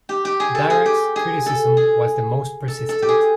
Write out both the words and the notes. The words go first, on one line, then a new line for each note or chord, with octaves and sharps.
Dirac's criticism was the most persistent.
G4
G4
G#4
A4
G#4
G4
G#4
A4
G#4
A4
A4
G4
G#4